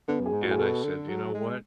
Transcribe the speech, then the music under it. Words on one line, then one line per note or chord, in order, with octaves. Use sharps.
And I said, "You know what?
D3 B3
F#2
G#4
G#2
F#4
A2 G#4
B2 A4
D3
F#3
G#3